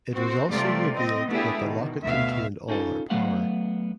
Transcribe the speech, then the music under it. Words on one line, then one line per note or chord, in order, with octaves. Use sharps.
It was also revealed that the locket contained all her power.
C4 F#4 C5
C3 G3 A3 F4 D5
C4 D#5
A3 B3 D4 E4 G4 G#4
B2 D#3
D2 B2 E5 F5
C#4 D#4 F4 A4
F#3 A3 B3 F5 F#5